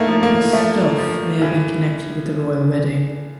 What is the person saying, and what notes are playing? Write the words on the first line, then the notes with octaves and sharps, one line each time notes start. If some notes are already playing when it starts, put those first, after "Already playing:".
This "stuff" may have been connected with the royal wedding.
Already playing: A2 A3 A#3 D#4
F3
A#3
F3 A3
F3
E3